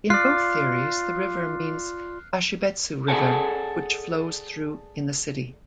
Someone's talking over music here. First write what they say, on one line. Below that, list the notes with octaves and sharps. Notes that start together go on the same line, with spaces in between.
In both theories the river means Ashibetsu River, which flows through in the city.
F4 D5 F6 F#6 C7
G#4 A4 D5 F#5 G#5 A5